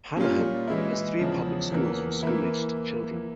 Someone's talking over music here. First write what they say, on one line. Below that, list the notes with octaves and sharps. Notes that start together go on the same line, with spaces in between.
Hanahan has three public schools for school aged children.
A#2 G3 C#4 F4
E3 G#3 E4
E2 C#3 F3
E2 E3 A#3
E3 A#3 E4